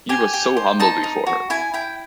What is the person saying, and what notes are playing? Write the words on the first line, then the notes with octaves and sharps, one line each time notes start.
He was so humble before her.
G4 G#5
G4
C5
D#4 A5
D#4
F#4
E4 G#5
E4 G5